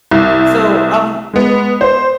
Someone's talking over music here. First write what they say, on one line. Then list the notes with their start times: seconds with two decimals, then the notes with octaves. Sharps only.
so, um,
0.11 C2
1.34 G#3 B3
1.81 C5